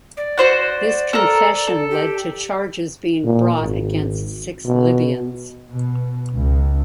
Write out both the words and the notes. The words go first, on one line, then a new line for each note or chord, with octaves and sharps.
This confession led to charges being brought against six Libyans.
D5
F#4 C5 F#5
A4 A#4
A4
G4
A#2
G#1
B2
B2
C#2